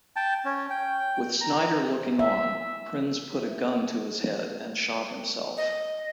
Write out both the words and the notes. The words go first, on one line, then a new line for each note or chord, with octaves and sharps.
With Snyder looking on, Prinze put a gun to his head and shot himself.
G5 A5
C#4
G5
A#5
E5
D#5